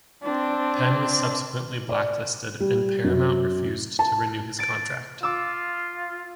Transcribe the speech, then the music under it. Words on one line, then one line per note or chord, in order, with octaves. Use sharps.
Penn was subsequently blacklisted, and Paramount refused to renew his contract.
C4 D4
D5
G3
F#2
A5
A6 D7
F4 D6 E6